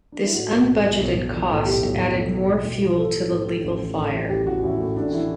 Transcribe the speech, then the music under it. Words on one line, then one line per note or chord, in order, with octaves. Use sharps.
This unbudgeted cost added more fuel to the legal fire.
D4
E4
A2 F#4
B1
B1
B1
B1
B1
E3
A2
B1 G4
B1
B1
A2
E3
B1
B1
E3
A2 A4
E3
A2
A2
A1
E3
A2
E3
A1 G4
A1 F#4
A1 E4
A2
A2 D4
E3 E4